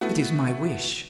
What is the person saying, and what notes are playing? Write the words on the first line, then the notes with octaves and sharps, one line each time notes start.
It is my wish.'
A3 B3 E4 F#4